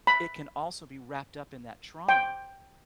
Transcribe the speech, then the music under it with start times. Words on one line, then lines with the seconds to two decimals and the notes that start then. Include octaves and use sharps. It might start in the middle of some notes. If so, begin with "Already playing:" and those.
it can also be wrapped up in that trauma.
0.07 B5
2.09 G5